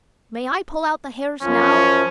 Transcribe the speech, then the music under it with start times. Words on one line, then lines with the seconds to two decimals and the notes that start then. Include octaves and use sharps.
"May I pull out the hairs now?"
1.42 F#2 F3 C#4